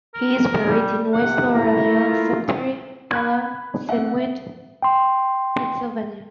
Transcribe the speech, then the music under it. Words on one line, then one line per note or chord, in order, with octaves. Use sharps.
He is buried in West Laurel Hill Cemetery, Bala Cynwyd, Pennsylvania.
A#4
G3
C3 F#5
A3 A#3 E4 A#5
F4
B5 F#6 G#6
C4 E5 F#5
G5 C6